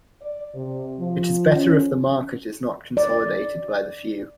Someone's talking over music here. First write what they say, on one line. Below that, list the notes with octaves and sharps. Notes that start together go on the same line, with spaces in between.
It is better if the market is not consolidated by the few.
D5
C3
F3
C#4
D5